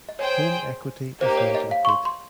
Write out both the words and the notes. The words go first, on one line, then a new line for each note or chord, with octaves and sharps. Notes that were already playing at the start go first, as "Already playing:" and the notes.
Home equity is not liquid.
D#5
G#4 C5 C#5 G5
A#3 D#4 G4 C5
C#5
D#5
F5
C#6
C6
C6